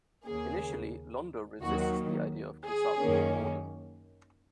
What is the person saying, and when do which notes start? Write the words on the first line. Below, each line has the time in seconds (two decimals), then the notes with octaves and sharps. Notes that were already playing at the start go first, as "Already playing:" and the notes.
Initially, Londo resists the idea of consulting with Morden.
0.25 D#2 C#3 A#3 G#4
1.62 D#2 D#3 F#3 A#3 F#4
2.64 G#4
2.98 F#2 D#3 A#3 C#4